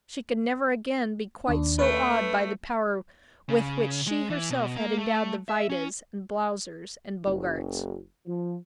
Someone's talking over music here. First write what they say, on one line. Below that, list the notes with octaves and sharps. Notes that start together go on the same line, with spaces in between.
She could never again be quite so awed by the power with which she herself had endowed the Vidas and Blaussers and Bogarts.
D#2 D4
A3 C#4 B4
C#3
G#3
E3
B2
A#3
A3
E5
C#4
F#1
F3